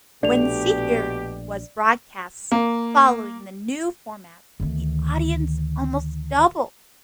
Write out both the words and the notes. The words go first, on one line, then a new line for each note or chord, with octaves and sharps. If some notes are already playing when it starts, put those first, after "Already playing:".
When "See Hear" was broadcast following the new format the audience almost doubled.
A#1 B2 A3 D4 G4 D5 F7
A#3
D2 D#3